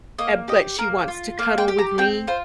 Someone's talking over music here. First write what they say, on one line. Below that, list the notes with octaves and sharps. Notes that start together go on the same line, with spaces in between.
Eh, but she wants to cuddle with me.
A#3 D#5
G4 D#5
A#3 A#4
F4
A#3 F5
G5
G4
A#5
C4 G5
F4 C5